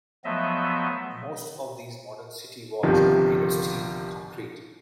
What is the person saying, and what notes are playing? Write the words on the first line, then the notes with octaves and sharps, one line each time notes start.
Most of these modern city walls are made of steel and concrete.
F3 F#3 A3 B3 D#5 E5
G1 C3 D#3 F3